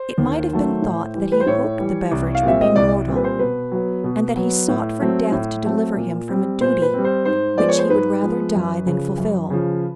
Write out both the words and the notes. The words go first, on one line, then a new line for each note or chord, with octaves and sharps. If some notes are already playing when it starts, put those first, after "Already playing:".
It might have been thought that he hoped the beverage would be mortal, and that he sought for death to deliver him from a duty which he would rather die than fulfil.
Already playing: C5
D#2
D#3 F#3 A3
A2
E3 G3
B4
C5
A2 C#5
E3 G3
C2
F5
A#2 G3 C4 E5
D#5
C2 D5
A#2 G3 C4
B4
C5
B2 B4
F#3 B3
B2
F#3 B3
A2
F#3 A3 C4
A2
F#3 A3 C4
A#2
G3 C4
A#2 C5
B4
G3 C4
C5
G#2 C5
F3 G#3 B3 D5
C#5
C5
G#2 B4
F3 G#3 B3
F#2
C#3 F3
F#2
C#3 F3